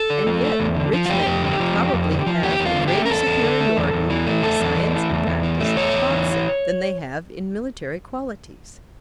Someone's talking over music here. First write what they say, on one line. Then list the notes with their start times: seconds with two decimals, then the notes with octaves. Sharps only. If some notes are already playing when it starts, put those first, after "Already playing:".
And yet rich men probably have a greater superiority in the science and practise of boxing than they have in military qualities.
Already playing: A4
0.10 D3
0.26 F3
0.43 A3
0.60 E2
0.76 D3
0.93 F3
1.06 F4
1.09 F2 G4
1.26 F2
1.43 D3
1.60 F3
1.77 F2
1.93 F2
2.10 D3
2.27 F3
2.43 E2 G4
2.60 E2
2.65 F4
2.76 D3
2.88 G4
2.93 A3
3.06 A#4
3.10 E2 A4
3.27 E2
3.43 D3
3.60 A3
3.77 E2
3.93 E2
4.10 E3
4.27 A3
4.43 E2 A4
4.60 E2
4.77 E3
4.93 A3
5.10 E2
5.27 E2
5.43 E3
5.60 A3
5.77 E2 C#5
5.93 E2
6.10 E3